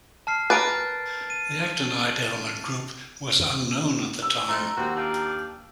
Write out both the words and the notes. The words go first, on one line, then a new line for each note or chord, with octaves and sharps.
The actinide element group was unknown at the time.
A5 F6 C7
A#4 B4 A6 D7
D#7
E6
F2 A3 A#5
D#2 C4 F#4
D4 F4 G4